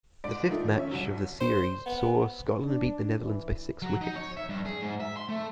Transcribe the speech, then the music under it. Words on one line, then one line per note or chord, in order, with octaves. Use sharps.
The fifth match of the series saw Scotland beat the Netherlands by six wickets.
G#2 D5 D7
D#3 F3 A3 D#4
C#4 C#5 E5
C2 F#3
C5
B3
D4
E3
F#3
D#4
C#5
E5
G2
G#4
G#2
E5
C6
A3